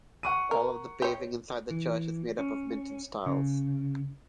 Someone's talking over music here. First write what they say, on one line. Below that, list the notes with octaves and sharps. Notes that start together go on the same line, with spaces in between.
All of the paving inside the church is made up of Mintons tiles.
F#5 C#6 D#7
A#4
G4 C#5
E3
C#4
C#3